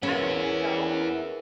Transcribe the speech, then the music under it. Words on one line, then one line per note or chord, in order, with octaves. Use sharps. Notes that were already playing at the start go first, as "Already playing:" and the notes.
I think so.
B3 C#4 E4 G#4 A#4 B4